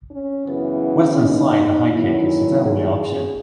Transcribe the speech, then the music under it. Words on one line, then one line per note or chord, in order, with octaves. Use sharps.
Whilst inside, the high kick is the only option.
C#4
F#2 C#3 E3 B3
D#4
E2 D#3 F#3 E4
G#4